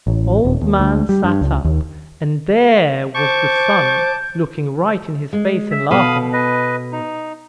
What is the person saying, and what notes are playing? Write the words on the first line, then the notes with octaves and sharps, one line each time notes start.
OLD-man sat up and there was the Sun looking right in his face and laughing.
A1
D#1
D#2
D2
G3
G2
C#2
D#2
C5 A5 C#6 D6 G6
G#3
E5
B2 A4 F5 B5 D#6
B4 D#5
D#4